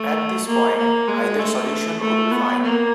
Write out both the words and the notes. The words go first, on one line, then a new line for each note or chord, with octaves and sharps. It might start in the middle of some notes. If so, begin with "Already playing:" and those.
At this point, either solution would be fine.
Already playing: A3
A#3
A#3
G#3
A3
A3
B3
A#3